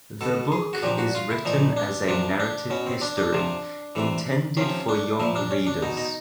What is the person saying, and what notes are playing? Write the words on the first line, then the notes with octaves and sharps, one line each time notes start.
The book is written as a narrative history intended for young readers.
B2 A4
G#4
F#4
A#2 F3 G4
F#4
F4
E4
A#2 F3 D#4
D4
C3 F3 D4
D4
B2 C#4
C4
D4
D4
C3 F3
C3 E3
C3 F3 C#4
D4
A#2 F3 E4
D4
C#4
D4
B2 D#4
D#4